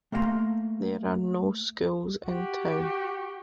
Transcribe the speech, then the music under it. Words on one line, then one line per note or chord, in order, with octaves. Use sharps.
There are no schools in town.
A3 A#3 F5 F#5 A#5 C6
F#4 G4